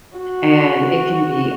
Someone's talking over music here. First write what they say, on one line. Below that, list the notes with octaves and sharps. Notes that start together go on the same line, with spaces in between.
and it can be
F#4